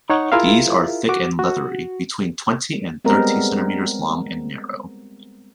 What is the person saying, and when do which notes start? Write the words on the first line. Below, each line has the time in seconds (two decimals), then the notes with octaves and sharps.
These are thick and leathery, between twenty and thirty centimetres long, and narrow.
0.10 D#4 C#5 F#5 C#6
0.32 E4 F4 G#4 A#4 E5 F5
1.09 F#4 D6
1.39 F#4
3.05 G3 G#3 B3 C4 A#4